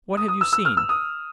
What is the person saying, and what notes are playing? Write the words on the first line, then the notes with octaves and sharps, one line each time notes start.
"What have you seen?"
D#6
D#6
E6
E6
F6
E6
D#6